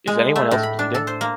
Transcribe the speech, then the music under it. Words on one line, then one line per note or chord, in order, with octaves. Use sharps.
Is anyone else bleeding?
G#3
A3
A2
B5
D4
A4
C5
A#3